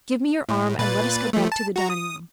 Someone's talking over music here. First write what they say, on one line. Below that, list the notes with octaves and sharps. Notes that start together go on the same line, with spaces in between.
Give me your arm and let us go back to the dining-room.
A2
A#2 B4 A6
F3 A3
A5
F#4 A#5
D#6